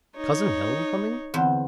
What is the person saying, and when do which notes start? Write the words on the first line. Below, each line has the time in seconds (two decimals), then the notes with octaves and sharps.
Cousin Helen coming!
0.17 D#4 C#5
1.34 E2 D3 B3 C4 C5